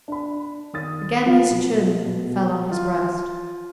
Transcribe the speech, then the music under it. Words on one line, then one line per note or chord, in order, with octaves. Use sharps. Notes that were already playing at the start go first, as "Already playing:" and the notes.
Again his chin fell on his breast.
D4 B5
D#3 D#6 A6
F3 F5
B2 F3 F#3
B2
F4